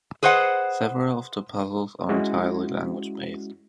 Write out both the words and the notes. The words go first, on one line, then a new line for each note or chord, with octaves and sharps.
Several of the puzzles are entirely language-based.
G#4 B4 C5 D#5 F#5
G#3 C#4 E4 F#4